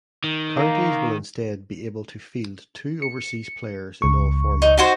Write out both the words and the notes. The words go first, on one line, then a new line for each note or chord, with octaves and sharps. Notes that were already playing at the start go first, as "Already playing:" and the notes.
Counties will instead be able to field two overseas players in all formats.
D#3
A#3
C#7
C#2 C#6
D#4
D#4 F#4 C5